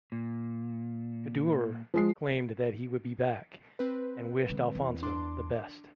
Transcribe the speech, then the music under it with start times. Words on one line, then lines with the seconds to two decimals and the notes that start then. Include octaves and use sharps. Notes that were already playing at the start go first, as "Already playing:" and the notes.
Kaddour claimed that he would be back and wished Alfonso the best.
0.12 A#2
1.94 F3 G#3 C7
3.79 C4 B4
4.49 D3 G#3
4.75 E2
5.03 D4 C6 D6